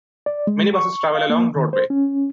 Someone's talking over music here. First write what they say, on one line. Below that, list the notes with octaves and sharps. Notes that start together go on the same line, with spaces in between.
Many buses travel along Broadway.
D5
G#3
C#6
F5
A#3
D#3
C5
C#4